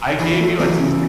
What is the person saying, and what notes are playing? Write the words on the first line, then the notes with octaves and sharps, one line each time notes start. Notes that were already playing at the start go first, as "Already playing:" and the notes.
I gave you a test
E2 E3 E4
A3
E2 E3 F#3
C#3